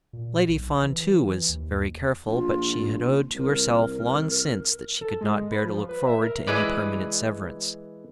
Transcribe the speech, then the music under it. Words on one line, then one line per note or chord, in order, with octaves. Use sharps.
Lady Fawn, too, was very careful, but she had owned to herself long since that she could not bear to look forward to any permanent severance.
A#2
B1
E3
D#2
A#1 F4
C2 A#4
A4
G#3
B4
F3
B4
E5
A#4
E3 G#3 B4 D5